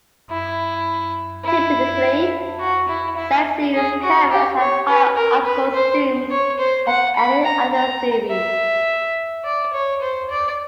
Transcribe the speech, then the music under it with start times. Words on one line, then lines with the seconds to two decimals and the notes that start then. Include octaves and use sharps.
Typically, Z-Series cameras have higher optical zooms than any other series.
0.30 E4
1.45 E4
2.59 F#4
2.88 E4
3.16 E4
3.73 G#4
4.02 F#4
4.31 G4
4.59 C#5
4.88 B4
5.16 A#4
5.45 B4
5.73 C5
6.30 C#5
6.59 C5
6.87 F#5
7.16 B5
7.45 A#5
7.73 A#5
8.30 E5
9.44 D5
9.73 C#5
10.01 C5
10.30 D5